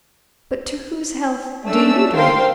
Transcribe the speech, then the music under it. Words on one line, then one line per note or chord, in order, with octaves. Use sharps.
But to whose health do you drink?'
A3 C#4 D4 E6
A#4 C5 F5 G5 C6